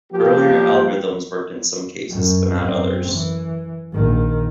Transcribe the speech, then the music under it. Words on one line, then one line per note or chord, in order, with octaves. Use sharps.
Earlier algorithms worked in some cases but not others.
F3 A#3 G4
F#2
F#2 C4
E3
A#1 D#3